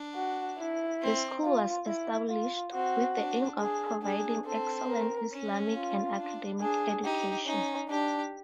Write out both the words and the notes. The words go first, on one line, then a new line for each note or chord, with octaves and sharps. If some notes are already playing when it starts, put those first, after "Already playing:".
The School was established with the aim of providing excellent Islamic and academic education.
Already playing: D4
F#4
E4
C4
F4
E4
F4
C4 F#4
D4
D4 G#4
D4 G#4
C4 A4
A#4
C#4
F4
D4
D4 G#4
D#4 G4
C#4 D#4
D4 G4